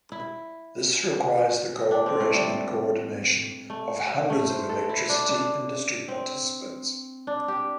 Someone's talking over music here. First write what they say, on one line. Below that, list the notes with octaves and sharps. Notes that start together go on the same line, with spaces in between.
This requires the cooperation and coordination of hundreds of electricity industry participants.
E4
D4
C4
A3
G3
A3
A3
C5
A4
E4
D4
D4
C4
D4
G4